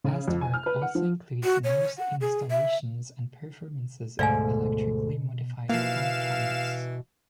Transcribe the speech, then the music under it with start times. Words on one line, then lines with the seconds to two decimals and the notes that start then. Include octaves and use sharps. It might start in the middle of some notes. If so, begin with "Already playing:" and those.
Past work also includes noise installations and performances with electrically modified file cabinets.
0.04 C#3
0.28 F2
0.41 G#5
0.54 F6
0.66 B4
0.82 F#5
0.95 F3
1.44 F#4
1.64 C#5
1.98 F#5
2.21 G#4
2.51 E5
4.19 D2 G#2 B2 A3 D5 F5 G#5
5.69 B2 E3 F3 A#3 F5 E7